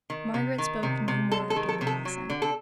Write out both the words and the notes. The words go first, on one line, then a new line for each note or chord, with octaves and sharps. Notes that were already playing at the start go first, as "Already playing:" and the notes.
Margaret spoke no more during the lesson.
D#3
C3
D#3
C3
C3
G#3 A4
A4
D#3
A4
C3
A4
F#3
D3
A4